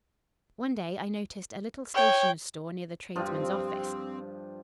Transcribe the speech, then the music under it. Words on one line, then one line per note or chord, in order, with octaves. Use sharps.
One day, I noticed a little stationer's store near the tradesman's office.
C#5 G5
G2 F3 C4